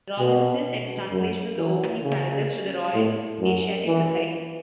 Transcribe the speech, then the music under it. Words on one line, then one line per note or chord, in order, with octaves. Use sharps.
Rawlinson sent a translation of the opening paragraphs to the Royal Asiatic Society.
B2
F#2
E3
C#3
A2
F#2
E3